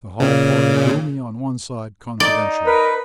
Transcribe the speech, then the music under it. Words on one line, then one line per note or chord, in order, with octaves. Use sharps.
The hall porter drew me on one side confidentially.
A#2 C#3
D#4 D5
A#4 B4